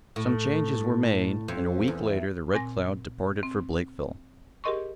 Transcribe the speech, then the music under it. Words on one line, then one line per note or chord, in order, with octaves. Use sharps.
Some changes were made and, a week later the Red Cloud departed for Blakeville.
A2
F2
E2
A#2 C4 G#5 A#6
C4
G4 G#4 A#4 D#5 C6 C#6